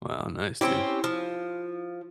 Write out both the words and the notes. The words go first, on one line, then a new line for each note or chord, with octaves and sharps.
Wow. Nice, dude.
C4 C#4 E4 G4
F3